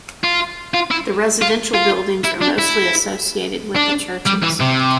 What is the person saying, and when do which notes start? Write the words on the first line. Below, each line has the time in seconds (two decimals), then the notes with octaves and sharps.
The residential buildings are mostly associated with the churches.
0.24 F4
0.74 F4
0.91 E4
1.42 F4
1.74 F4
2.25 E4
2.42 D4
2.59 E4
3.75 D4
4.26 G3
4.42 E3
4.60 C3